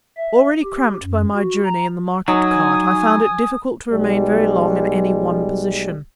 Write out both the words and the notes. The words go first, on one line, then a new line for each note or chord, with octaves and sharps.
Already cramped by my journey in the market-cart, I found it difficult to remain very long in any one position.
E5
G4
F#2
F#4
A#5
F#3 D#4 G#5 D#6
B1 G3 G#3